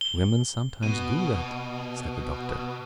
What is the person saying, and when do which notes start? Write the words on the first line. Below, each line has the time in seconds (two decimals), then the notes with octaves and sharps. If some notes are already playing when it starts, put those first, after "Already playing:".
"Women sometimes do that," said the Doctor.
0.01 G7
0.83 B2 D#7